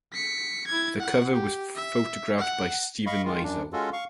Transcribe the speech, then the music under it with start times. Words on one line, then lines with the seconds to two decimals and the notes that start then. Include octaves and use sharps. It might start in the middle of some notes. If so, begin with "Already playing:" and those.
The cover was photographed by Steven Meisel.
0.13 B6 C#7
0.67 E4 G#6
1.01 F#5
1.33 G4
1.75 E5
2.39 F#5
3.07 D#5 F5 B5 C#6
3.25 D#3 G#3 F4
3.43 F#2 D4
3.73 G#3 C#4 F4 F#4 A4
3.93 F5 C#6